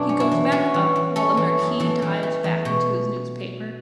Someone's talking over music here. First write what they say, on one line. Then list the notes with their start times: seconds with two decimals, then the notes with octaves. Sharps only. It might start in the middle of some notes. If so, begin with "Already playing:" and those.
He goes back up while the Marquis dives back into his newspaper.
Already playing: F#2 B2 A3 D4
0.09 C#4
0.20 E4
0.32 E3
0.52 C#4 F#4
0.74 E3
0.96 E3
1.16 C#4 A4
1.37 E3
1.59 F#2
1.80 E3 A4
2.02 E3
2.23 A3
2.44 E2
2.65 B2